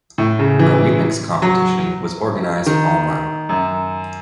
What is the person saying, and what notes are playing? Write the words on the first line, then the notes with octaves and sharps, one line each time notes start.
A remix competition was organized online.
A2
C#3
E3
F#3
D#3
F#2